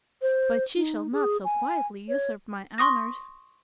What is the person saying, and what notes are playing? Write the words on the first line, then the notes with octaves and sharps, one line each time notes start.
But she shall not so quietly usurp my honors.
C5
D#4
G#4
G#5
C#5
C6 C#6 D#6 A#6